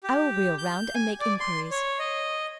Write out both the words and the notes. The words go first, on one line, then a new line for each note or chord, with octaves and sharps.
I will reel round and make inquiries.'
G4
G6
G#5
D5
C6
C#5
D#5